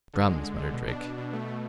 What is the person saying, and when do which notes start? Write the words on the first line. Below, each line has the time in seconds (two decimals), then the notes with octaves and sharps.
"Drums?" muttered Drake.
0.13 D3
0.29 G#3
0.43 D3
0.59 D3
0.74 B2
0.88 D4
1.02 B2
1.18 B2
1.33 A3
1.48 A3